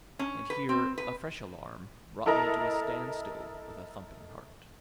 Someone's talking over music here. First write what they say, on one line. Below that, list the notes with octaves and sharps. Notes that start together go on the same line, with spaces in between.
And here a fresh alarm brought me to a standstill with a thumping heart.
C#4
B4
C4
B4
E4 A4 A#4 D#5 A#5